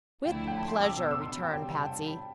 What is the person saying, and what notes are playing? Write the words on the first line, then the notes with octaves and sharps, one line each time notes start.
"With pleasure," returned Patsy.
D2 D3 F3 A3 E4 G5
G5
A5
C6
D6
E6
B2 B3 D4 D6
E6
E6
C6
B5
G5
C3 G3 D4 G5
A5
G5
A5
B5